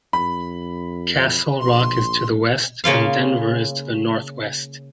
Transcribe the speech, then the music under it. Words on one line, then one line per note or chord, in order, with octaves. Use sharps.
Castle Rock is to the west, and Denver is to the northwest.
F2 B5
A#1 C6
C#3 A#3 F4 F5